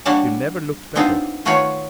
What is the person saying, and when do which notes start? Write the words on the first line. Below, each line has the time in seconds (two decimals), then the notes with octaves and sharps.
You never looked better.
0.05 G3 A#3 D4 F#4 F#5 A5
0.95 B3 C4 D4 D#4 F4
1.45 D#3 A3 F4 F#4 B4 C#5